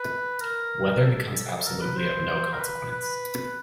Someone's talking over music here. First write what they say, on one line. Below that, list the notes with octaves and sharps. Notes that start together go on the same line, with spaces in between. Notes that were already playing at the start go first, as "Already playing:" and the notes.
Weather becomes absolutely of no consequence.
Already playing: B4
A#4
A4
A#4
B4
C5
A#4
B4
B4